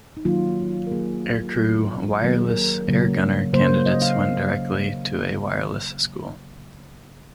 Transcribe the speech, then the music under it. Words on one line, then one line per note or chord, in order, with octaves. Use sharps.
Aircrew "Wireless Air Gunner" candidates went directly to a Wireless School.
D#4
D#3 F#3 A#3 F4
A#4
D#3 F#3 A#3 G#4
D#3 F#3 A#3
D#3 F#3 A#3 A#4
G#4
A#4
C#3 F#3 A#3
C#3 F#3 A#3 C5
D#5
F5